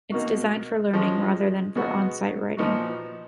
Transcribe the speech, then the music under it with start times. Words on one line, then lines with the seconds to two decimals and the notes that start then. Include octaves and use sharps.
It's designed for learning rather than for on-site writing.
0.12 B2 A#3 D#4 F#4
0.93 F3 G#3 C#4 F4
1.75 B2 G#3 B3 F#4
2.57 A#2 F3 B3 D#4 F#4